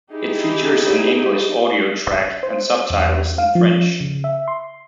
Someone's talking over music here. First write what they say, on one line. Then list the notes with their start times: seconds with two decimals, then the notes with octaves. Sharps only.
It features an English audio track and subtitles in French.
0.12 D#4 E4 G4 G#4
2.43 C5
2.90 E2
3.38 F5
3.55 F3
4.01 C#3
4.24 E5
4.48 C6